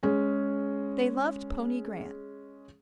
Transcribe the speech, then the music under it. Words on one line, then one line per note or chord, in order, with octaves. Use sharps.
They loved pony Grant.
G#3 C#4 G#4